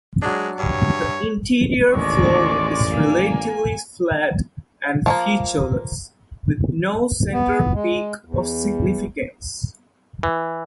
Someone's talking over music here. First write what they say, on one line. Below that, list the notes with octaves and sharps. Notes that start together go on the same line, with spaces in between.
The interior floor is relatively flat and featureless, with no central peak of significance.
F#3 G#3 D4
G2 C#5
A1 D#2 D#3 G#3 D5 C#6 D6
A#3 G#5
F3 A3 A#3
B3
G#3
E2
E3